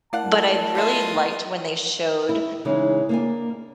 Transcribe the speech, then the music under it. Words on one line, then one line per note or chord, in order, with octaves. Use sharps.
but I really liked when they showed
A3 E4 A#4 D5 F5 F#5 A5
C#3 F4 B4 D#5 E5
E4
C#3 E3 G#3 D#4
A#3 D4 G#5